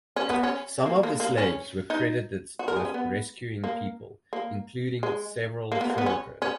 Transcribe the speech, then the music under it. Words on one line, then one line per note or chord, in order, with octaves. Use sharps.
Some of the slaves were credited with rescuing people, including several children.
C#4
B3
C#4
A#3
A#3
A#3
C#4
D#4
F#4
A#4
G#4
C#4
B3
A#3
A#3
G#3
A#3
B3
A#3
B3
C#4
C#4